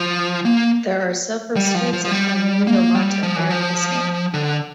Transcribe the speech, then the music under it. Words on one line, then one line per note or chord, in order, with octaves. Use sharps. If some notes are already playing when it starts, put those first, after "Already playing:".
There are several streets in Wainuiomata bearing his name.
Already playing: F3
A#3
G3
F3
F3
F3
G3
A#3
G3
F3
E3
F3
D3